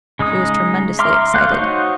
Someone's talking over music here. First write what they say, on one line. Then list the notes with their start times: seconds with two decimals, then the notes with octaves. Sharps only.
She was tremendously excited.
0.19 C#3 G#3 D#4 D#6
0.99 E5 A#5 C6 D6 F6
1.34 A3 F5 F#6 G6
1.52 D#4 F#4 C5 C#5